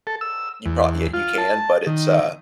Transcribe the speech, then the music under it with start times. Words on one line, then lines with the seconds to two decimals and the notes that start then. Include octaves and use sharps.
you proba yeah, you can, but it's, uh
0.07 A4
0.21 E6
0.66 E2
1.14 F4
1.38 A5
1.87 D#3